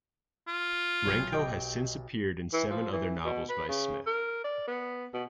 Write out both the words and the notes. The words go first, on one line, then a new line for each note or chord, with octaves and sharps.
Renko has since appeared in seven other novels by Smith.
F4
B1 G#6
G4 D#5 G5
E3
F3
E3
B2
B4
C#3
A#4
D5
B3
B2